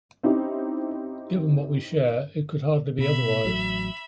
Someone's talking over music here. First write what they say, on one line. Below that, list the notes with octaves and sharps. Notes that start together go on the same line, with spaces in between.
Given what we share, it could hardly be otherwise.
C4 C#4 D#4 E4 G4
B2 E5 B5
A1 F#3